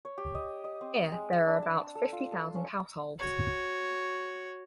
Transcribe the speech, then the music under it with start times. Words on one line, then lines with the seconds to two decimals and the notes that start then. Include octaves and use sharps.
Here there are about fifty thousand households.
0.05 C#5
0.18 G4
0.35 D#5
0.64 D#5
0.81 C4
1.12 G#3
1.47 D4
1.62 A5
1.95 A4
2.12 F4
2.32 A4
2.55 C#4
3.19 F#4 C#5